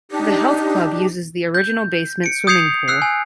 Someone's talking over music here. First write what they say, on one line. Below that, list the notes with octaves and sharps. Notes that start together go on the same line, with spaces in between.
The health club uses the original basement swimming pool.
D4 D#4 G4
G6
C#7 D7
D#6 G6 G#6 C7 C#7 F7
E6 F#6 C7
G#5